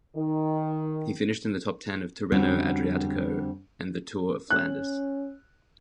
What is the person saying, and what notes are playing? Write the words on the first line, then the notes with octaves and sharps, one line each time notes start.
He finished in the top ten of Tirreno-Adriatico and the Tour of Flanders.
D#3
F2 D3 G3 C4 C#4 F#4
C#4 F#6